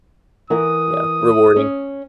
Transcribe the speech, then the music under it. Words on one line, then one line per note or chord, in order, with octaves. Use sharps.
yeah, rewarding.
E3 A#4 F#5 D#6
C#4